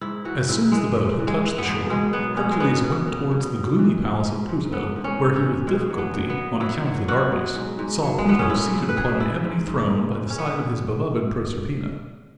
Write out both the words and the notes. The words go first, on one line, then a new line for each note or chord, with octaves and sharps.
As soon as the boat had touched the shore, Hercules went towards the gloomy palace of Pluto where he with difficulty, on account of the darkness, saw Pluto seated upon an ebony throne by the side of his beloved Proserpina.
G#2 E4
E3 F#4
G#2 E4
E3 G#3
G#2
E3
G#3
E3
B3
G#2
B2 G#3
F#3 B3
B2 C#4
G#3
F#3 B3
B2
B2
B2
B2
E3
E3
G#2
G#2
G#2 B3
G#2
C#4
G#2
C#4
E3
B2 G#3
F#3
B3
F#3
B3
F#3
F#3 E4
F#3
B2 F#4
F#3
G#2
G#2
F#3
G#3
G#2 B3
C#4
G#2 E4
G#2
B4
F#3 G#4
G#2 E4
G#2
G#2
G#2
G#2
C#4
E3 B3